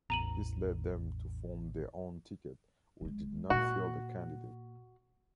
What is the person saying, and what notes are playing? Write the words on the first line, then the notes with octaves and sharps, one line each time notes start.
This led them to form their own ticket which did not field a candidate.
A1 E2 A#5 D#7 F#7
D1 G#3
A#2 A#3 F#4